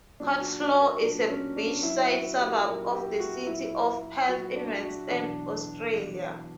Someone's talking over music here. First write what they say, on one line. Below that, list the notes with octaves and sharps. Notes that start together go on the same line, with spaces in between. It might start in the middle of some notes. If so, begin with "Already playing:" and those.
Cottesloe is a beach-side suburb of the city of Perth in Western Australia.
A#2 F#3 D4
F#4
F#4
A#4
A#2 F#3 D4
C#4
D4
A#2 F#3 E4
F#4
G4
A#2 F#3 A#4
G4
F#4
A#2 F#3 E4
A#2 F#3 F#4
D4
F#4
E2 B2 F#3 D4
E2 B2 F#3